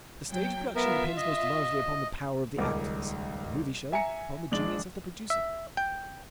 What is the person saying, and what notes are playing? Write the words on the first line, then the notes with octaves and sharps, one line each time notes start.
The stage-production depends most largely upon the power of the actors, the movie show upon the genius of the producer.
F#3 G5
B3 F4 A#4 E5
D#5
D#1 C#2 A#4 D6
E5 G#5 A#5 C#7
A#1 G#3 D4 F#7
E5
G5